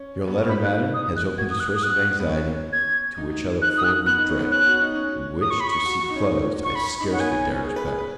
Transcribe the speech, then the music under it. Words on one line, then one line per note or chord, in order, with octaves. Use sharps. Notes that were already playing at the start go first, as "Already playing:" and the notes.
YOUR letter, Madam, has opened a source of anxiety, to which I look forward with dread, and which, to see closed, I scarcely dare expect.
Already playing: C#4
B3
C#4
D#4 B5
F#6
D#6
F#6
F#4 G#6
D#6
F#6
D#6
F#6
B3
C#4
G#6
D#4
D#4 F#6
D#6
F#6
B3 F#6
D#4
C#4
B3
C#4 F#6
F#4
D#4
C#4
D#6
C#6
B5
C#6
F#4
F#4
D#4
C#4
C#6
B5
B5
D#4
C#4 F#5
B3 G#5
G#4
B4
G#4
B4